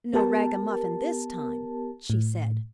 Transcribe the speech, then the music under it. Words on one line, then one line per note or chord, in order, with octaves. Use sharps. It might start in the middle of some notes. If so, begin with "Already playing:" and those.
"No ragamuffin this time," she said.
B3 G4 A#4 A5
A2